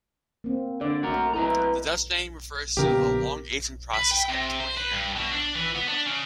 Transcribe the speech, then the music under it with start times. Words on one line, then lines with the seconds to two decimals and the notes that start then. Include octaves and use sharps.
The Dutch name refers to the long aging process, up to a year.
0.44 A#3 C4
0.81 D3 D5
1.03 A3 F#4 A#4
1.34 E4 A4 B4 D#5 A#5
2.77 A#1 C#3 B3 G4 A#4
3.94 B4
4.11 G5
4.29 C3
4.61 C5
4.77 B4
4.92 G2
5.17 B2
5.32 D4
5.56 E3
5.76 B3
5.89 D4
6.06 C#3